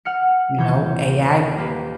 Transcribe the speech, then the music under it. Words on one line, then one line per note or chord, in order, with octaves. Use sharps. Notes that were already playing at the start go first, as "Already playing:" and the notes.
you know, AI
F#5 F6 C#7
D#1 E3 C#5 G6
C5
A#3 G4 B4